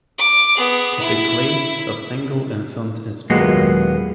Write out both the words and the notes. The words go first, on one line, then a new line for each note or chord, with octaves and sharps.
Typically, a single infant is born.
D6
B3 G#4
E4
D#2 A#2 F#3 G#3 A#3 B3